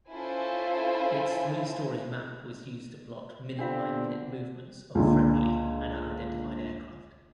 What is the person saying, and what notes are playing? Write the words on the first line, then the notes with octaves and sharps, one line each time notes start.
Its three-story map was used to plot minute-by-minute movements of friendly and unidentified aircraft.
C#4 E4 F4 A4 C5 G#5
D3 B3 C4 D4 F4 G4 C5 F5
C#2 A#2 D3